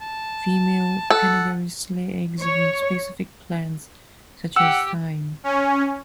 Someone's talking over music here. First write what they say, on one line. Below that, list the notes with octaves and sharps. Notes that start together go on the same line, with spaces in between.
Female "Phengaris" lay eggs on specific plants such as thyme.
A5
A4 F#5
C#5
G4 F#5 G5 E6
C#4